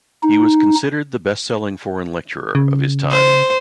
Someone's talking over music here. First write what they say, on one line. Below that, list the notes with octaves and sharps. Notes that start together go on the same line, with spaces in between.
He was considered the bestselling foreign lecturer of his time.
D#4
C#3
C5